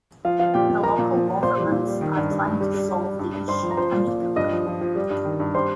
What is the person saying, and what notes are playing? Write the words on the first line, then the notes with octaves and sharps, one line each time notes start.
The local governments are trying to solve the issue amicably.
F3 F4 F5
F3 F4 F5
A#2 G4 G5
A#2
F3 A#4 A#5
A#2
F3
F3
A#2 C5 C6
G3
A#2
G3
D#3
G2
G2
G2
G3
G3
G3
G3
G2
G2
G2 C5 C6
F3
A#5
F3 C5 C6
A#2
A#2
F3
G2 D#5 D#6
F3
F3
F3
G3
G2
D#3
G2
G3 C5 C6